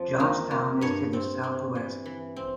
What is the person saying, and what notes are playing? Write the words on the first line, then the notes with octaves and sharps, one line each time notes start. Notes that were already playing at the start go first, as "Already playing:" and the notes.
Johnstown is to the southwest.
Already playing: F2 F3
A#3
A#3
G2 C#5
C4
C4
E3
E3
C4